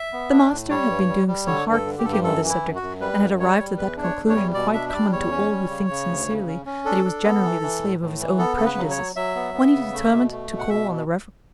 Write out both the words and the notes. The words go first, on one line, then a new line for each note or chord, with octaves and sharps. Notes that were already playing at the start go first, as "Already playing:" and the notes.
The master had been doing some hard thinking on this subject, and had arrived at that conclusion quite common to all who think sincerely, that he was generally the slave of his own prejudices, when he determined to call on the Rev.
Already playing: E5
B3
D4
A2
G3 C#5
G2
G3
G3
D3 C#5
G2
A4
D3
G4
G2 A4
G4
F#2 A4
E3
E4
F#2
F#4
F#2
G3 B4
F#2
G3 C#5
G3
E2 B4
D4
C#5
E2
C#5
G3
B2 D5
D4 E5
E5
G3 D5
E2 C#5
C#4
G3
C#3
C#3
D2
C#3
C#4
C#4
D4 A4
D4
B3
E3
E3
A2
A2
E3
B3 A4
C#3 A4
B4
F#3
C#5
F#3
F#3 E5
B3
B3
C#3
A3
B2
A3
B2
F#5
B2 E5